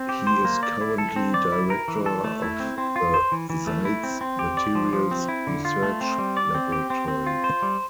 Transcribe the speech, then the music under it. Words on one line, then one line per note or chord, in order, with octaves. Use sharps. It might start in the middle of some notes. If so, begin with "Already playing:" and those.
He is currently Director of the Seitz Materials Research Laboratory.
Already playing: C4
G4
C5
A#3
D5
E4
A4
C4
D5
E4
A#4
E3
A4
A3
E4
C4
C4
F4
C5
E3
E3
A3
E4
C4
C4
G4
D5
F3
F3
C4
E4
D3
F4
A3
C4
G3
D5
C4
G4
C4
C4
F4
C5
G3